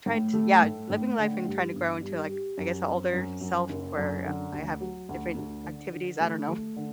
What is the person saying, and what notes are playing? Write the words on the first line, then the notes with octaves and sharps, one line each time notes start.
trying to Yeah, living life and trying to grow into, like, I guess, a older self where I have different activities, I don't know.
A2
A3
A2
A2
D3
G2
G1
G2
G4
F#2
C4
F#2
F#2
F#1
F#2
D3
D2
F#3
D2
D2
D3
D3
A3
A3
D3